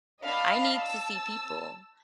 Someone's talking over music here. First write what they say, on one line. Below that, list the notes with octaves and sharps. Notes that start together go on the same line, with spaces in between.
I need to see people.
D4 D#5 F5 A5 B5
A5 E6